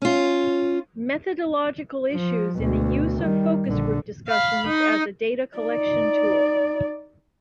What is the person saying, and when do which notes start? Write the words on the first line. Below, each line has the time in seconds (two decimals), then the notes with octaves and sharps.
Methodological Issues in the Use of Focus Group Discussions as a Data Collection Tool.
0.02 C#4 F4
2.12 F3
2.58 D2 B2
3.20 D#3 G3
3.65 A#1 D3
4.28 F5 B5
4.68 D#4
5.58 D#4 D5